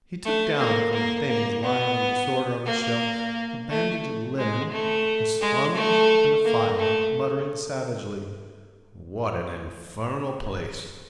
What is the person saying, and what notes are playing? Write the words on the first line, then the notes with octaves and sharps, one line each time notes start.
He took down from the things lying in disorder on the shelf a bandage of linen, a sponge and a phial, muttering savagely, "What an infernal place!"
A3
A#3
A#3
A#3
B3
A#3
A3
G#3
A3
G#3
A3
A#3
A3